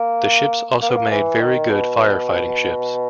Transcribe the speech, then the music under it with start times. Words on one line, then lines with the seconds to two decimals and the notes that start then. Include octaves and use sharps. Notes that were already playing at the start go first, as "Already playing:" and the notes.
The ships also made very good fire fighting ships.
Already playing: A#3
0.82 A#3
0.89 B3
0.97 A#3
1.11 E3
1.41 D#3
1.70 B2